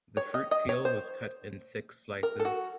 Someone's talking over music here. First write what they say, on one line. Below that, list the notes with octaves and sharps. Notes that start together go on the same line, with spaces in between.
The fruit peel was cut in thick slices.
C#5
D#5
D#5
C#5
C5
A#4
A4
F#4